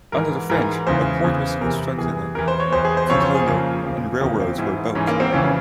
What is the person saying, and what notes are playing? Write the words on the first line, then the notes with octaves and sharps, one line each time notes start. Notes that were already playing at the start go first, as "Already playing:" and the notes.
Under the French, a port was constructed at Cotonou, and railroads were built.
G#2 E3 A#4
G#2 E3 A#4
E2 C#3 E3 C5
E2 C#3 E3
E2 C3 E3 A#4
E2 C3 E3 G#4
E2 E3 A#4
C5
C#5
E2 E3 C5
G#4
C5
F2 C#3 F3 C#5
C5
G#4
F2 C#3 F3 A#3
E2 C#3 F3
E2 C#3 F3 A#3
C4
G#2 E3 E4
G#2 E3 C#4
A#3
C4
F2 C#3 E3 C#4